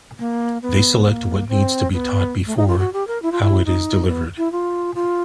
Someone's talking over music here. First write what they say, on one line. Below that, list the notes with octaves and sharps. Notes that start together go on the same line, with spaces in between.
They select what needs to be taught before how it is delivered.
A#3
B3
B3
A#3
C4
B3
A3
D#4
F4
F#4
G4
A#4
E4
F4
E4
D#4
B3
E4
F4
F4